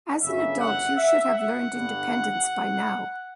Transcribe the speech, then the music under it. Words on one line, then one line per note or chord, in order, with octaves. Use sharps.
As an adult, you should have learned independence by now!
G1 F#2 C#3 E5
F#5
E5
F#5
G1 G2 D3